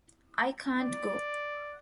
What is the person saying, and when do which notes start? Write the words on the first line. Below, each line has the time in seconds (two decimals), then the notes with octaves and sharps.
I can't go!
0.79 D5